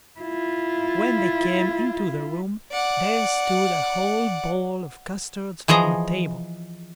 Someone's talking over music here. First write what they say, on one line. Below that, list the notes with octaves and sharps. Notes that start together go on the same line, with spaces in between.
But when they came into the room, there stood a whole bowl of custards on the table.
E4 F4
D5 F#5
E3 F3 G#4 D#5 A#5